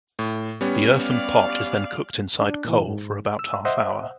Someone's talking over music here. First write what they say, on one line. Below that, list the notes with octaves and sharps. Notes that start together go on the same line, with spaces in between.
The earthen pot is then cooked inside coal for about half hour.
A2
G3 B3 C#4
D5 F5
D4
A#2 E3
G#2
E6
C5 D#5 E5 F#5